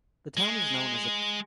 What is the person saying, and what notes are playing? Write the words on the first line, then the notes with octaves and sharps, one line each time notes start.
The town is known as a balneologic and climatic resort.
G#3